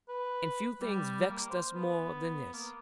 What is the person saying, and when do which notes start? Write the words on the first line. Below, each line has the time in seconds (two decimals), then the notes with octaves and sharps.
And few things vexed us more than this.
0.08 B4
0.81 G3
1.29 A#3
1.50 C5
1.74 B3
2.53 A#3